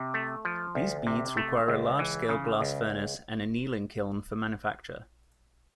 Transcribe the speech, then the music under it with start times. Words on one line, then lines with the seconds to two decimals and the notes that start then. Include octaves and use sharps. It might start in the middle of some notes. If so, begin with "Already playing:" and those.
These beads require a large scale glass furnace and annealing kiln for manufacture.
Already playing: C3
0.14 A3
0.45 F3
0.75 D2
1.07 C3
1.37 A3
1.68 C#2
1.99 E3
2.29 C#3
2.61 C#2